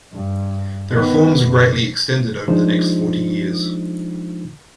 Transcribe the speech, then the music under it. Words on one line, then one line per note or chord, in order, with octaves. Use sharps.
The reforms were greatly extended over the next forty years.
G2
D#3 B3
F#1
F3 G#3 D4 D#4 F4 C5